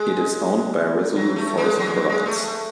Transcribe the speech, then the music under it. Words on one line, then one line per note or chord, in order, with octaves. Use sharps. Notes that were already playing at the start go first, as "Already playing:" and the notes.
It is owned by Resolute Forest Products.
Already playing: G#3
F#3
A3
G#3
F#3
G#3
F#3
G#3
A3